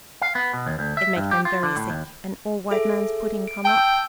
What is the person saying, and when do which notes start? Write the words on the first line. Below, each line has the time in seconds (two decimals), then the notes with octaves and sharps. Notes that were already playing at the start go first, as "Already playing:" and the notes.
It make them very sick and all white man's pudding come up.
0.21 F5
0.35 B3
0.53 B2
0.66 D#2
0.79 D2
0.97 E5
1.16 G2
1.31 G4
1.45 F4
1.63 D3
1.76 A2
1.90 D#2
2.71 G#4 A4 E5
3.48 D7
3.65 G5 A5 E6 G6